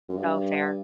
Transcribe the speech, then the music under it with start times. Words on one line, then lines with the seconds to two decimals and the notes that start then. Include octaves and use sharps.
Oh, fair.
0.09 F#2
0.17 G2